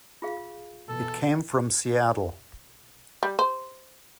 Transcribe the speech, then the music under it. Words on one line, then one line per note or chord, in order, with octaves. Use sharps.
It came from Seattle.
F4 G#4 F5
B2 E3 A4
G3
C5